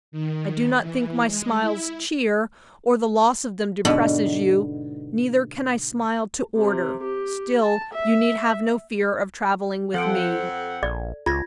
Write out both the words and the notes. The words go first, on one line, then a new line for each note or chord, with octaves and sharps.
"I do not think my smiles cheer, or the loss of them depresses you. Neither can I smile to order; still you need have no fear of traveling with me."
D#3
E3
G#3
E4
G#2 B2 D3 B3 F#4
C3
G4
A5
E5
F2 F3 C4 A4 F#5 D7
A#1 D5
C#2 F4 G#6 A#6